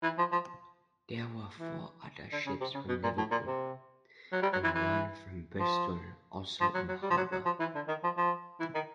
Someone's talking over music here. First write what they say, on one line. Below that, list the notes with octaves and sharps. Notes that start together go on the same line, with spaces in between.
There were four other ships from Liverpool and one from Bristol also in harbour.
E3
F3
F3
E3
D3
C#3
C3
C#3
B2
A#2
A2
A#2
C3
F#3
G3
F#3
E3
E3
F3
F3
F#3
F#3
G3
F3
F#3
F#3
F3
E3
D3
D#3
F3
F3
E3
D#3